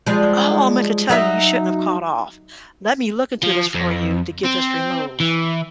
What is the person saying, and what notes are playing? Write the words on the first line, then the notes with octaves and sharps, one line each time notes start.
"Oh, I meant to tell you, you shouldn't have called off. Let me look into this for you to get this removed."
F3 G3 G#3
F#3 D#4 E5
F3
F2
C4
E3